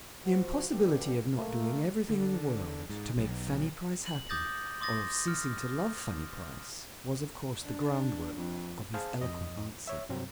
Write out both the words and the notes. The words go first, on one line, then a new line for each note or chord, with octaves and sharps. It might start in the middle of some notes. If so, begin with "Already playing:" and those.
The impossibility of not doing everything in the world to make Fanny Price happy, or of ceasing to love Fanny Price, was of course the groundwork of his eloquent answer.
F3 F#4
E2 B2 D3 F3 G3 G4
A3 A#3
D3
G#2
B1
F#7
D6 D#6 G6 A6 A#6
C6 D6 D#6 A6 A#6
F6
D4
F2
G#4 C5 F5 A5
F2 D#5
C#5 E5
G2 C3 F#3 C4